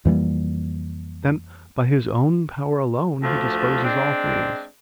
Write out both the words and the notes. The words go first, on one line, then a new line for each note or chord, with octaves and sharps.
'Then, by His own power alone He disposes all things.'
F2 E3 G3 A#3
D2 F3
G#3 C4 D4